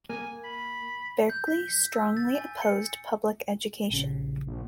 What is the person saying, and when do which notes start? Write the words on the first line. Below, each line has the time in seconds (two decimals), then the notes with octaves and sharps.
Berkeley strongly opposed public education.
0.10 A#3 G#5
0.44 B5
1.30 G6
1.47 B6
1.93 E6
2.17 A6
2.35 G#5
2.62 C#7
3.90 A#1 C#3
4.47 A#1